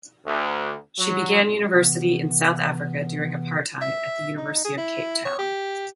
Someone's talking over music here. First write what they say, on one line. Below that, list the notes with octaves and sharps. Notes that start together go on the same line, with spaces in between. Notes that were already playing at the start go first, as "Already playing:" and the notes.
She began university in South Africa during apartheid at the University of Cape Town.
D2
F#3
C3 E3 B3
E5
D#4
G#4
E4
C#5
G4